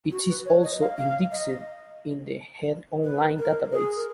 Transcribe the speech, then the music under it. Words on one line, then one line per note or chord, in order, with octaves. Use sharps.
It is also indexed in the HeinOnline database.
F#4
B4
C#5
D#5
F5
F5
D#5
B4
A#4
G#4
A#4